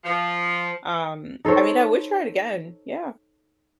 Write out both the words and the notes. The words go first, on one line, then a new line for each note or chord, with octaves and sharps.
Um, I mean, I would try it again, yeah,
F3
D#4 A4 C5 C#5